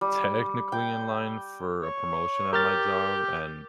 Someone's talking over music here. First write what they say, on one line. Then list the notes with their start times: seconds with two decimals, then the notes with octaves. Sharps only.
technically in line for a promotion at my job, and
0.01 G3
0.72 G5
1.83 C#5
2.53 G4 A#4 F6 A6